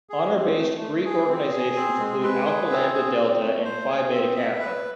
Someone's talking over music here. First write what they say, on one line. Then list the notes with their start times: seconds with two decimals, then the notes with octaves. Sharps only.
Honor-based Greek organizations include Alpha Lambda Delta and Phi Beta Kappa.
0.09 G#4
0.33 C4
0.58 A3
0.80 A3
1.05 G#4
1.28 C4
1.51 G#4
1.76 C4
1.99 G#3
2.23 B4
2.46 G#4
2.70 C4
2.94 G#4
3.18 C4
3.41 A3
3.65 C5
3.88 G#4
4.11 C4
4.35 E5
4.59 B4